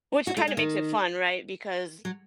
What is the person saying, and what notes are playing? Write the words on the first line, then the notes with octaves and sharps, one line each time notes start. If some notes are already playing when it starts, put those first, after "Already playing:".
Which kinda makes it fun, right? Because,
F#4
A3
G#3
D#3
F#3